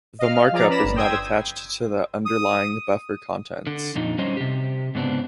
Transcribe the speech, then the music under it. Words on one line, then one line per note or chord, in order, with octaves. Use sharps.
The markup is not attached to the underlying buffer contents.
D#5 F5 F6
F3 F4 G#4 D5 A#5
C#4 B4 D5 B5 A#6 E7
G1
G5 C6 D#6 E6 G#6
D#6
D3
F2 A#2 D#4
F#3 G3 C#4 C5 D#5
C3 G4
G#2 C#3 B3 C4 D4